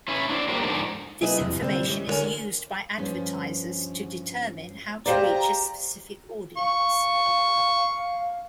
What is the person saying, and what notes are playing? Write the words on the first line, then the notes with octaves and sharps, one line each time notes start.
This information is used by advertisers to determine how to reach a specific audience.
C#4 E4 B4
C4 D4
F#3 G3 A#3 C4 G4 C5
G#2 D3 F3 D4 D#4
C3 F#3 E4 G#4 B4 D#5
E2 G2 C3 F3
F#2 D3 G3 B3 C4 D4
E3 G3 G#3 C4 C#4
D3 B3 A#4 C#5 G#5
G2 F3 C#4
G4 G#4 C5 D5 F5 A#5
F5 C#6